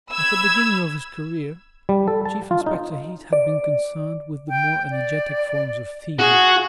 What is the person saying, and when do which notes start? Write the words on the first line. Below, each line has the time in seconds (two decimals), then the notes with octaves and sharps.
At the beginning of his career Chief Inspector Heat had been concerned with the more energetic forms of thieving.
0.11 B5 E6 G#6
1.89 G3
2.08 A4
2.25 A5
2.51 F4
2.66 D#4
3.33 D5
4.48 G5
4.91 D5
6.19 F#4 G#4